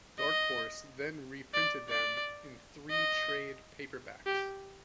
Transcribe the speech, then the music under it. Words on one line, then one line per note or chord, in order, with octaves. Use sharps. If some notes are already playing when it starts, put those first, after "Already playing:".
Dark Horse then reprinted them in three trade paperbacks.
D#5
D5
D5
D#5
G4